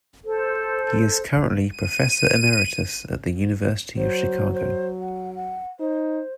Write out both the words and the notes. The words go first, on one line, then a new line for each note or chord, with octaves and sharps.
He is currently professor emeritus at the University of Chicago.
A4 C5
D#7
F#3 C5
C5
F#5
F#5
D#4 C5